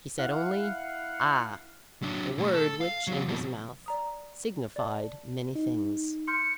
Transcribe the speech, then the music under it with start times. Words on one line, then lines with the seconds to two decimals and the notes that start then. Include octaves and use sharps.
He said only, "Ah!"--a word which, in his mouth, signified many things.
0.19 E4 F5 F#5
2.03 F#3 D4
2.38 B2 A3
2.54 A4
2.81 F5
3.07 E2 F#3
3.28 F2 B2
3.86 D5 A#5 D#6
4.76 D5 A5
5.55 D#4
6.28 C6 F6 G6 C#7